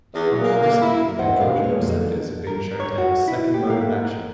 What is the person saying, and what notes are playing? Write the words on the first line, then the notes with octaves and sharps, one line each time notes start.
More recently, androgen receptors have been shown to have a second mode of action.
E2
F#3
A#3
A#3
E4
D#2 B2 E3 C5 F#5
C3 D4 D#4 G4 F5
G#3 B3 C#5
F2 F#3 G3 A#3
E3 D4 A4
A#4
C#5
F#4
E4
G4
A#3